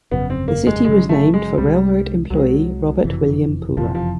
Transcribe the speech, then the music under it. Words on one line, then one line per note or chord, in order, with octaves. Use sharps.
The city was named for railroad employee Robert William Pooler.
G1 F2 C#3 F#3 B3
C4
A#3
G#3
G1 F2 C#3 F#3 G#3
A3
G#3
C2 C3 D#3 G3 G#3
C2 C3 D#3 F#3 G#3
F#1 F2 C3 E3
F#1 F2 C3 E3 F3
F3